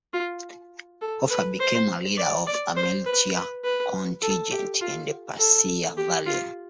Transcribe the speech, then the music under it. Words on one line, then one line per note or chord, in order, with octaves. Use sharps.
Hofer became a leader of a militia contingent in the Passeier Valley.
F4
A4
B4
C5
D5
D5
C5
B4
B4
B4
A4
G4
F4
A4
G4
F4